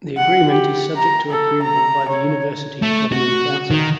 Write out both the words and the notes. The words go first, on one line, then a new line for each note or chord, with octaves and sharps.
The agreement is subject to approval by the university's governing council.
F#5
G4
A#5
A4
A#5
C#5
A3
F#4
D#3